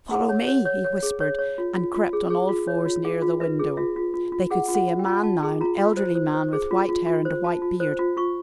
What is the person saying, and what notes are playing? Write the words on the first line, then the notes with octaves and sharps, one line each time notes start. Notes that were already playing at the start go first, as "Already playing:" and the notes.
"Follow me!" he whispered and crept on all fours nearer the window. They could see a man now, an elderly man with white hair and a white beard.
G#4 F#5
C#5
C#5
C#5
C#5
G#4
C#5
C#5
F4
F4
F4
G#4
G#4
F4
C#5
F4
G#4 F5
F4
B4 E5
G#4
F4 E5
F4
F4
F4
G#4 F#5
F4
F#5
F4
G5
F4
F4 A5
G#4
F4 A#5
F4
C5
C5
C5
G#4
F4
F4
F4
C5
F4 A5
F4
C5
F4
F4 C#6